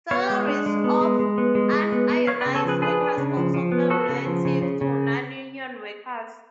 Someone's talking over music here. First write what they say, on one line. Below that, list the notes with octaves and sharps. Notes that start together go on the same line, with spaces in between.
Salaries of unionized workers also fell relative to non-union workers.
B3 C#5 F5
G#3
D4
G#3
B3
G#3
G#3
B3
G#3
G#3
B3
B3
B3 C#5 F5
B4 D5
C#3
A4 C#5
F3 G#4 B4
D4 G#4 B4
D4
C#3
F3
F3
B3
B3 F#4 A4
C#3
F3
C#3
C#3
C#3